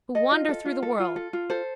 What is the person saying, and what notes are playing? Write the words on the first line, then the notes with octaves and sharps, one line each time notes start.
Who wander through the world.
A4 D#5
F4
A4
F4
A4
F4
A4
F4
A4 C5